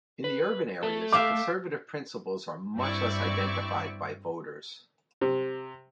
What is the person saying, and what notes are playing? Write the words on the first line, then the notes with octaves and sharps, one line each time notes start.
In the urban areas, conservative principles are much less identified by voters.
B4
A3 A4
E5 F5 G5 D6
G2 C4 E4 D5 C#6
C3